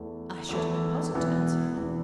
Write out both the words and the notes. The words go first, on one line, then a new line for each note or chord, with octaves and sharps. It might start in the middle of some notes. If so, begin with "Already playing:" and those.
I should have been puzzled to answer him.
Already playing: E2 E3 A3 E4
E2 E3 A3 E4
E1 E2 E3 B3 E4
E1 E2 E3 B3 E4